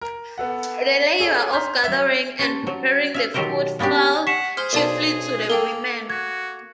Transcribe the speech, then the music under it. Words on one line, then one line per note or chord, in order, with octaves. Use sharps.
The labor of gathering and preparing the food fell chiefly to the women.
A#4
B3 A4 F#5
G#4 A4 C#5
A#5 C6 F6 G6 B6
F#3 E5
C#4 C5 A5
F#3
E5 F5 G#5
B2 D#3 F#3 G4 A#4 C5
A#3 B3 C#4 D4 G4
F#5 C#6 B6 E7
G#4 C5 F6 G7
B1 A#4 C5 D5 A5
A#3 A4 A#4 G5
F#4 G#6